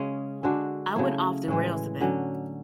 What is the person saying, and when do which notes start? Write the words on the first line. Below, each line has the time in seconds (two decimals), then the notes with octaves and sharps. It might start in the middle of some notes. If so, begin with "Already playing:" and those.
I went off the rails a bit.
Already playing: C#3 G#3 C#4
0.43 D3 G#3 D4 F#4
0.96 C#3 F#3 A3 E4
1.48 A2 E3 G#3
2.01 D3 F#3 C#4